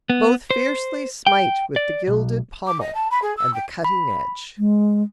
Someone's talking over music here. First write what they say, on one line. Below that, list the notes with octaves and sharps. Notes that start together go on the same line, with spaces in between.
Both fiercely smite with the gilded pommel and the cutting edge.
B3
C5
G5
D5
B1
D6
D#5
A5
B5
G#4
E6
G5
B5
G#3